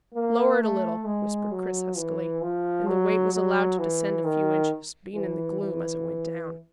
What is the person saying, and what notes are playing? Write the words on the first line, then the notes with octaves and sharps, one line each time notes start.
"Lower it a little," whispered Chris huskily, and the weight was allowed to descend a few inches, being in the gloom as it went down.
A#3
A3
G#3
F#3
E3
F3
F#3
F#3
E3
D#3
E3
E3